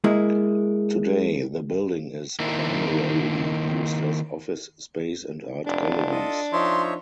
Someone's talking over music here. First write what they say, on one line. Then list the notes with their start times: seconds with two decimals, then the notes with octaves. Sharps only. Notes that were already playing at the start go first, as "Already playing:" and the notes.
Today the building is primarily used as office space and art galleries.
0.04 G#3 A#3 E4
2.40 D#3 A#3 C4 D4 E4
5.66 F1 D4
6.11 F4 A4 D#5
6.53 F3 D#4 C#5 E5 C6